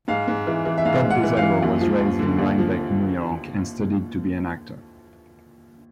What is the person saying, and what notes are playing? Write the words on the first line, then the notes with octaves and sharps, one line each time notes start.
Todd Dezago was raised in Rhinebeck, New York and studied to be an actor.
G#2 F5
G#2
E3
E3
E5
G#2 F5
G#2
F#5
E3
F5
E3
D#2
F3
D#2
D3
D#2
F3